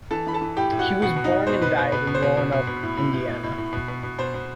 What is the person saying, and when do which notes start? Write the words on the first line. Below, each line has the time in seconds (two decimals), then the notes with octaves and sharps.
He was born and died in Roanoke, Indiana.
0.11 E3 A4 A5
0.27 E3 B5
0.33 A4 A5
0.42 E3
0.57 A2 G4 G5
0.72 A2
0.79 F#4 F#5
0.87 A2
1.02 B2 F#4 F#5
1.16 B2
1.24 D#4 D#5
1.32 B2
1.47 B2 C5
1.62 B2 B4
1.77 B2 C5
1.92 B2 B4
2.07 B2
2.15 C5
2.23 B2
2.37 B2
2.52 B2
2.67 B2
2.83 A2
2.97 A2
3.13 A2
3.27 A2
3.43 A2
3.58 A2
3.73 B2
3.88 B2
4.03 B2
4.19 B2 C5
4.34 B2